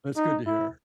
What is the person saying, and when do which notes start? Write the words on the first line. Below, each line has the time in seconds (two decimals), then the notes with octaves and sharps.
That's good to hear.
0.16 D#4
0.46 E4